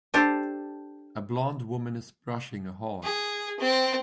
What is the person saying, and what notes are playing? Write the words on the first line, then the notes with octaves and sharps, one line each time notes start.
A blond woman is brushing a horse.
D4 G4 A4 C5
G#4
C4